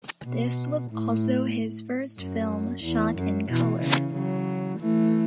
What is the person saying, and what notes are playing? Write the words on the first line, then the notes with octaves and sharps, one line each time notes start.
This was also his first film shot in color.
B2
A2
F#2
E2
F#2
B2 E3
C#3
C#3 F#3
E3 A3